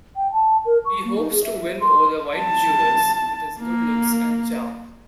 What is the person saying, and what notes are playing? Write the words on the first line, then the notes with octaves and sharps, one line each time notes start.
He hopes to win over the white jurors with his good looks and charm.
G5
A5
A#4
C#6
A#3
D#4
G#4
E5
C6
A5
A#3